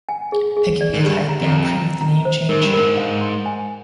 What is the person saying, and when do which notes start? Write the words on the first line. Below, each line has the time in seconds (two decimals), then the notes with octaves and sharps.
Peggy Wilhide then approved the name change.
0.09 G#5
0.32 G#4
0.57 G#4
0.81 D5
0.94 G#2
1.04 G2 G4
1.29 A#5
1.41 F2
1.53 A#5
1.77 A#5
2.01 A#5
2.25 C5
2.49 G#2 A#4
2.62 G2
2.74 G#2 A#4
2.97 F5
3.21 C6
3.46 G#5